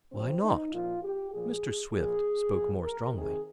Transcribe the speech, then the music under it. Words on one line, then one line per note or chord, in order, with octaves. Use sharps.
"Why not?" Mr. Swift spoke more strongly.
C3 F3 C4
D#4
A#2 F3 F4
G4
A#2 F3 G#4
A#2 F3 G#4
A#2 F3
A#4
C3 D#3 G#4